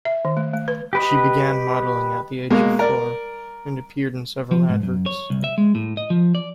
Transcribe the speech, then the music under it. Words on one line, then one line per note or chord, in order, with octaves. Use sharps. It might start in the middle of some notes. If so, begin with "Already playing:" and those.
She began modelling at the age of four, and appeared in several adverts.
E5
D#3
A3
A3
B4
G4 B4 D#5
B2 G#3 A#3
A#4 D5
F3
G#2
F#2
C#5
C2
E5
G#3
A2
D#5
F3
D5